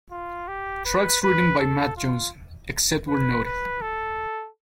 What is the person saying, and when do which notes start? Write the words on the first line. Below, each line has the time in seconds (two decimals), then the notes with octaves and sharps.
Tracks written by Matt Johnson, except where noted.
0.11 F4
0.48 G4
0.85 B4
1.22 B4
1.59 A4
1.97 F4
3.07 B4
3.45 B4
3.82 A4